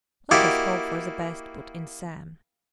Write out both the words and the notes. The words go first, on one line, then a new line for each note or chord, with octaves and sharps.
"Let us hope for the best," put in Sam.
A#3 E4 F#4 G4 D5 D#5